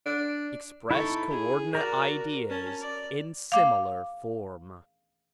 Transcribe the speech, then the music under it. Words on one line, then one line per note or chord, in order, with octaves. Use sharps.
Express co-ordinate ideas in similar form.
D4
D#4 E4 A4 C#6
G#4
F#4 A#4 D5
C#4 A5
D5
F5 D6